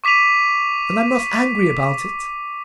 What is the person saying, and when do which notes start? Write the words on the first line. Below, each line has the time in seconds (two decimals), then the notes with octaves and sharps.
And I'm not angry about it.
0.04 C#6 D6 B6 D#7 F7